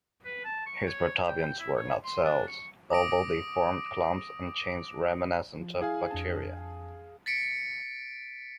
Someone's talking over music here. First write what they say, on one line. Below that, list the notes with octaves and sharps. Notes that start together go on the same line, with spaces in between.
His protobionts were not cells, although they formed clumps and chains reminiscent of bacteria.
B4
A5
C#6
C#5
G5
E4
C#5
C6
D4
C#6
D6 D#6 A#6 D7
F3
E4 G#4 F5 G#5
F2 D4 A5
A6 B6 C#7 D7